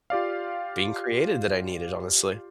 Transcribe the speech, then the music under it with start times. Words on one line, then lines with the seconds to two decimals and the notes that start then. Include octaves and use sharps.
being created, that I needed, honestly.
0.10 F4 G4 D5 F5